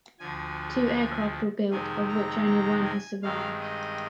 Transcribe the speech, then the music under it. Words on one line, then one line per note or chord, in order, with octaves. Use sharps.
Two aircraft were built, of which only one has survived.
D2 D3 F3 G#5
F2 C3 D#3 G#3 C4 G#5
A#5
A#5
G#5
G2 D#3 G#3 C4 F5
D#5